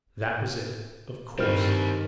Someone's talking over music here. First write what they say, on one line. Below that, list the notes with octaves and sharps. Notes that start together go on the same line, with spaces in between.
That was it, of course.
G2 D#3 G3 C4 C5 F6